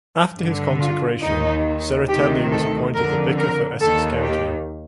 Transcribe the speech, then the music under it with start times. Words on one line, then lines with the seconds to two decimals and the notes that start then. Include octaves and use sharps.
After his consecration, Serratelli was appointed the vicar for Essex County.
0.36 G2 D3
0.79 F4
1.22 D#2 D#3 D#4
2.08 D2 C3 D#3 G4
2.52 A4
2.94 F2 D3 A#4
3.38 A#4
3.81 D#2 D#3 A4
4.24 G4